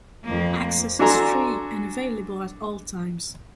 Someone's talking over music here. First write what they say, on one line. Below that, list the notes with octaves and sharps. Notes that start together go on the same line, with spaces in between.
Access is free, and available at all times.
F2 A#3
D4 F#4 A4 G#5 A#5 C6